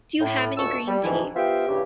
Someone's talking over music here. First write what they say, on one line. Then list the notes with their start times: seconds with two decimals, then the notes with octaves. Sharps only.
Do you have any green tea?
0.21 A2
0.58 D2 A#2 G#3 A5 C#6 E6
0.87 G3
1.04 D2 G#2 C3 E3 F3 E4
1.36 B3 F4 G4 C5 E5
1.68 G2 C#3 E3 G4